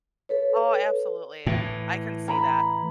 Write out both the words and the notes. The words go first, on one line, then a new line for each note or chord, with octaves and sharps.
Oh, absolutely. I can see that.
A4 B4 C#5
A2 E3
A#5 B5